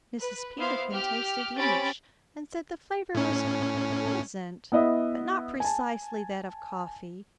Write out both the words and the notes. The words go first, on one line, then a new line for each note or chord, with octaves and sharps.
Mrs. Peterkin tasted each, and said the flavor was pleasant, but not precisely that of coffee.
B4
B3 E4 C5 F5
G4 F6
C4 C#4 G4 B5 A6 D7
A2 C#4
B3 E4 D#5 E5
G#5 A5